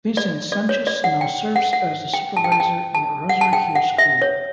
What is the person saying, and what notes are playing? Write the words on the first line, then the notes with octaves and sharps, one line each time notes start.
Vincent Sanchez now serves as the Supervisor in Rosaryhill School.
D5
D5
C#5
D5
F#5
G5
F#5
F#5
G5
A5
G5
A5
G5
A5
F#5
A5
G5
F#5
E5
C#5